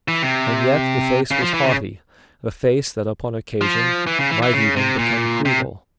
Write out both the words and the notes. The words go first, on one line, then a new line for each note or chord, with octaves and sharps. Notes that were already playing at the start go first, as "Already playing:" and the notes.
And yet the face was haughty, a face that upon occasion might even become cruel.
E3
C3
C#3
F3
E3
C#3
F3
E3
C#3
E3
E3
C#3
C3
A#2
C3